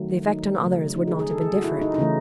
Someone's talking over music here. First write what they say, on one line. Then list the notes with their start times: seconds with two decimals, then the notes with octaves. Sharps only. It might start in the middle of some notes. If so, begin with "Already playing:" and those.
The effect on others would not have been different.
Already playing: D#3 F#3 A3
0.27 D#4
0.61 C#3 F#3 A3
0.96 D#4
1.08 G#4
1.19 G#4
1.30 A4
1.41 G#4
1.54 F#4
1.64 E4
1.81 D#4
1.94 D#4
1.98 C#3 E3 A3 C#4